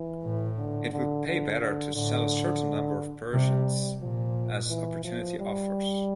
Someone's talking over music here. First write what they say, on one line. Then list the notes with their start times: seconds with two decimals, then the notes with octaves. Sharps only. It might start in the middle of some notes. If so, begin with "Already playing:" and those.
It would pay better to sell a certain number of Persians as opportunity offers.
Already playing: E3
0.23 A2
0.58 D3
0.93 D3
1.27 D3
1.61 D3
1.95 A2 D3
3.33 C3 G3
4.01 A#2 F3
4.69 E3
5.04 F3
5.39 G3